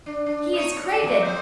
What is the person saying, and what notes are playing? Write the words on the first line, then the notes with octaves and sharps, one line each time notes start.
He is craven!
D4
D4
D#4 C#5
A#2
E2 A#2 F#3
F2 C4 C5